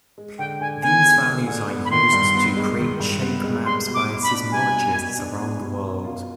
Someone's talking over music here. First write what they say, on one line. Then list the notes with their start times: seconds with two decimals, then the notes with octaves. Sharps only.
These values are used to create shake maps by seismologists around the world.
0.18 G#3
0.39 D3 G5
0.61 D3 G#5
0.82 B3 G#5
1.04 G#3
1.26 D3
1.48 D3
1.70 B3
1.85 B5
1.91 D#3 C6
2.13 G2
2.34 B3
2.57 G#3
2.79 D#3
3.00 G2
3.22 B3
3.44 G#3
3.65 G3 C6
3.87 B2
3.94 D6
4.09 B2
4.23 B5
4.31 D4
4.52 G3 G#5
4.74 B2
4.96 B2
5.18 D4
5.40 B3
5.61 B2
5.83 B2
6.04 F4